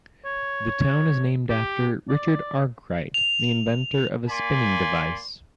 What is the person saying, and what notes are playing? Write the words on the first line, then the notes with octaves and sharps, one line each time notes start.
The town is named after Richard Arkwright, the inventor of a spinning device.
C#5
G4
D5
F7
A#3 D5 G#5 B5 C6